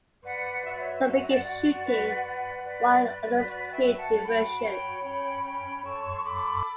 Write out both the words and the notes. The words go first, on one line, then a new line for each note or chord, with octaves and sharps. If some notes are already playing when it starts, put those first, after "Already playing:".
Some begin shooting while others create a diversion.
B4 D5 F#5
F#4 E5
D5
C#5 E5
F#4 G5
F#5
E5
D5 F#5
F#4 D5 F#5
B4
B4
B4 D5
B4
F#4 D5
E5 G5
F#4
F#5 A5
F#4 G5 B5
A5
C#5 G5 B5
C#4 G5 B5
C#5 G5 B5
B5
A4 A5 C#6
C#6
A4 B5 D6